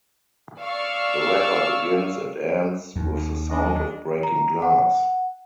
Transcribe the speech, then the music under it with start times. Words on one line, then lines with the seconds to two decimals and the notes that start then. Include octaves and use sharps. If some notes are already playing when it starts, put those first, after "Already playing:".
The record begins and ends with the sound of breaking glass.
0.59 D5 F5 C#6 E6 F6
2.96 D#2
3.51 D4 D#5
4.23 A#5
4.62 F#5